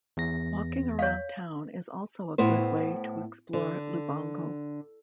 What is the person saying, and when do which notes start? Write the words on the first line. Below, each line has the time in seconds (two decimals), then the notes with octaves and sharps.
Walking around town is also a good way to explore Lubango.
0.17 E2 A#6
0.99 C#5 F5
2.38 A2 B3 C5
3.53 D3